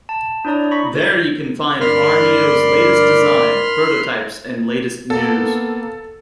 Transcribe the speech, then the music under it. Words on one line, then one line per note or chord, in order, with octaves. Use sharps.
There you can find Aarnio's latest design, prototypes and latest news.
A5
D4 E4 C#5 D5 A#5 D#6
B5 C#6 A#6 B6
D2 G2 A#4 D5 B5 C6 F6
A#3 B3 A4